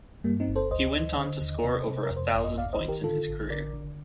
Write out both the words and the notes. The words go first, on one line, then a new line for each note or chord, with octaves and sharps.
He went on to score over a thousand points in his career.
G2 G3 A#3
C4 D#4
G1
A4 C5
D2 C5 D#5
D2
D3
D#2
C3
C3
A#4
F2
C5
G1 D5
D#5
C2 D5 F5
C5 D#5
D#3
G4 A#4
D3 F4 A4
A1
D3 A#4 D5
D3